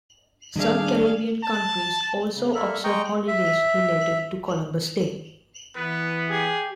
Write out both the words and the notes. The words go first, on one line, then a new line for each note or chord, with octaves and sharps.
Some Caribbean countries also observe holidays related to Columbus Day.
D#3 G3 D4 G#4 F5
A5
C#3
A#3 A4 A#4 E5
G#3 D#5 G5 A#5 C#6
E5
E3 B3 B4
G4 G#4